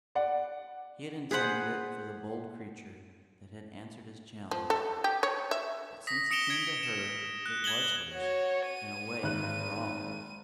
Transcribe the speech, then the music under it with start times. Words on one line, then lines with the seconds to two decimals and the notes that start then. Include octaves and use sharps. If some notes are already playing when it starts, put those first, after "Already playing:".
He had intended it for the bold creature that had answered his challenge, but since it came to her, it was hers, in a way, after all.
0.15 D5 F#5
1.31 G#4 B4 C5 F#5
4.51 F3
4.70 A4
5.04 G4
5.23 C#5
5.51 E5
6.07 D#6 A#6 B6
6.31 D#6 C#7 D7 E7 F7 G7
6.50 G#6 C#7 D7
6.83 E7
7.46 F#6
7.64 G#6 E7 F#7 G7
8.13 F#4 C#5
8.68 D#7
9.23 G#1 F#6